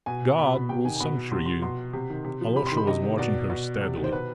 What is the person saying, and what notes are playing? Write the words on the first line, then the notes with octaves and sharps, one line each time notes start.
"God will censure you." Alyosha was watching her steadily.
B2 G#5
B2 B5
B5
C3 G5
D#3 G#5
G#5
B2 B5
C3 C6
F3 C6
B2 C6
C3
D#3
C3
F3
C3 B5
C6
D#3
B5
C3 D#5
D#3
B2 D5
B2
C3
D#3
C5
B2 B4